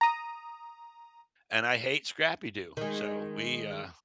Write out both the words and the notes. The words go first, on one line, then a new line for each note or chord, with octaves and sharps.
and I hate Scrappy Doo, so we, uh
A#5 D#6
D#3 G#3